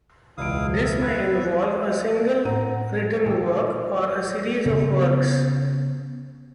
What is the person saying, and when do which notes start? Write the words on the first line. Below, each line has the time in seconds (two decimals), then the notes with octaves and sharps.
This may involve a single written work, or a series of works.
0.38 E1 C#2 E4 F5 D#6 D7
0.83 E5
1.02 B4 E5 G#6 A6
2.45 A2 F#5 A#5 D#7
3.26 A#2 D#3 E6
4.66 C#3 B3 C4